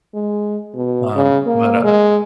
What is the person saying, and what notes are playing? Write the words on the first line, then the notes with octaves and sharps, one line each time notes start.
Um, but, uh
G#3
B2
C#3
A#3
G#3